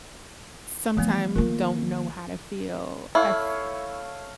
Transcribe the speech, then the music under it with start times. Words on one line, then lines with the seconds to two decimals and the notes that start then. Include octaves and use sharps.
sometime don't know how to feel. I've
0.97 E3 F3 A3 B3
1.36 D#3 A#3 F4 A#4
3.15 A3 E4 C#5 F5